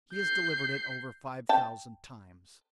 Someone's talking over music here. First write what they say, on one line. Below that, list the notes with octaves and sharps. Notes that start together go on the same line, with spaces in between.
He has delivered it over five thousand times.
G6 C7
G5 A5